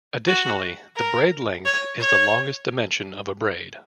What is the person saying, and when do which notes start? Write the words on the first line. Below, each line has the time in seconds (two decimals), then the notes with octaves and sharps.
Additionally, the "braid length" is the longest dimension of a braid.
0.27 F#4
0.96 A#4
1.65 C#5
2.00 C#5